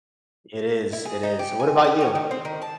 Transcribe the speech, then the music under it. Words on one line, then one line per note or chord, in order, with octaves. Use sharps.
It is, it is. What about you?
E4
G#4
D#4
G4
G#5
G4
C#5
D#3
C4
D#3
A5